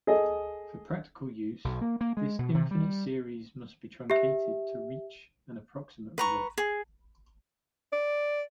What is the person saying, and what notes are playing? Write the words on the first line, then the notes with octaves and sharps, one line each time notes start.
For practical use, this infinite series must be truncated to reach an approximate result.
G#4 A4 D#5
B1
A#3
A#3
G#3
B2
C3
G3
G4 E5
B4 A#5 C#6
G#4
D5